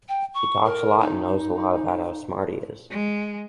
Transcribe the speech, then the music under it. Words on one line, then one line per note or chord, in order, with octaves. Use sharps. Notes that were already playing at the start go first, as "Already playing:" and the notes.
He talks a lot and knows a lot about how smart he is.
G5
C#6
A#4
D#4
G#3